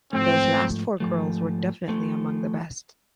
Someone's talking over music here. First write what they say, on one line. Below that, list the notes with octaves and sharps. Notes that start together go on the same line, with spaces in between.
Those last four girls were definitely among the best.
G#2 F3 A3 C4
G#2 F3 A3
F3 A3